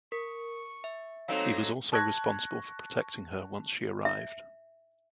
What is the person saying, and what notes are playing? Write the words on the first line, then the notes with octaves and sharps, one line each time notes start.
He was also responsible for protecting her once she arrived.
A#4 C#6
E5
F#3 A3 A#3 C4 D#4 C#5 F5
A5 C#6 F#6 G#6 A#6
E5